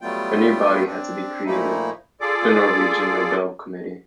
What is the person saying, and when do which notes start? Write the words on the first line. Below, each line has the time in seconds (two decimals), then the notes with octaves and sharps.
A new body had to be created-the Norwegian Nobel Committee.
0.02 F#3 G3 A3 B3 F4 G5
0.86 C4 D4
1.45 A#2 F3 A3 A#3 D#4 E4
2.21 F4 G#4 A4 D5 D6